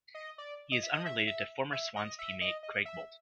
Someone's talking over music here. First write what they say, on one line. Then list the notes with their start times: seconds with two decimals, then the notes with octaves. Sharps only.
He is unrelated to former Swans teammate Craig Bolton.
0.15 D#5
0.38 D5
0.72 D#5
0.83 E5
0.94 D#5
1.06 E5
1.27 E5
1.73 E5
1.96 D#5
2.19 E5
2.41 D#5
2.63 D#5
2.85 E5